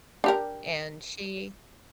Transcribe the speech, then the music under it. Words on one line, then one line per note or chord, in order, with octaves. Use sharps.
and she
D4 G4 A#4